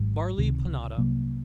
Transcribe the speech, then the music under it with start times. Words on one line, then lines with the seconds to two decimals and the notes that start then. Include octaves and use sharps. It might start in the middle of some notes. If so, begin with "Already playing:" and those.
Barley Panada.
Already playing: G#1 G#2 F#3
0.38 C#2 C3 D#3
0.97 C2 C3 F#3 A#3